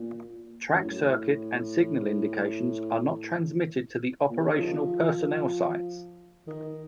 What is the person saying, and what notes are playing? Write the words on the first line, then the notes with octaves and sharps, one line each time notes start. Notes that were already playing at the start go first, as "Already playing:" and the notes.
Track circuit and signal indications are not transmitted to the operational personnel sites.
Already playing: A#2
F#2
A2
A#2
C3
C#3
D#3
F3
D#3